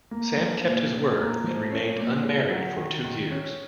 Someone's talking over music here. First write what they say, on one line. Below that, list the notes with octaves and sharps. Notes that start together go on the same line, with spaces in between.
Sam kept his word, and remained unmarried, for two years.
A#3
F3
A#2
A#2
A#3
F3
C#4
A#2
G#3
F#3
D#3
D#3
C#4